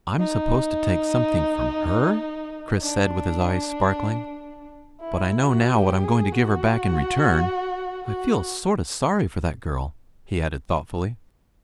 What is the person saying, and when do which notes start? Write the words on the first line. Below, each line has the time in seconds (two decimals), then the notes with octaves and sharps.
"I'm supposed to take something from her," Chris said with his eyes sparkling, "but I know now what I'm going to give her back in return. I feel sort of sorry for that girl," he added thoughtfully.
0.20 D#4
2.82 D4
5.01 E4
5.44 F#4
5.74 G4
6.03 G#4
6.32 F#4
8.07 F#4